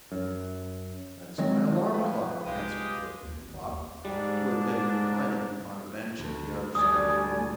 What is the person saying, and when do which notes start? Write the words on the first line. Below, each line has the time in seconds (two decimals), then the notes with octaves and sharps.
"That is my alarm clock," answered Flippityflop, who had been reclining upon a bench at the other side of the room.
0.12 F#2
1.38 D#3 F#3 G#3 C4
1.94 F3 B3 E4 B4 G5
2.45 C2 G#3 D#4 F4 G4 C5 D#6
3.22 D#2
3.35 G#1
3.53 F#1
3.67 D#2
4.05 G#2 G3 G#3 D4
6.19 D2
6.75 D2 G3 D5 G#5 D#6